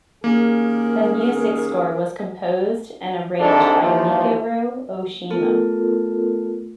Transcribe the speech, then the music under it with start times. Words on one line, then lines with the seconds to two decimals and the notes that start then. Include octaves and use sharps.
The music score was composed and arranged by Michiru Oshima.
0.24 D#2 A#3 C#4 G#4 A#4
3.40 C2 G#2 D#3 D4 A4
3.80 D#2 E3 F3
5.30 A3 B3 F4 A4 A#4